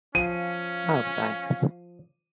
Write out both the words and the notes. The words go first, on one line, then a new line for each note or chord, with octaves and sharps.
Oh, thanks.
F3 C#4 F5 D#7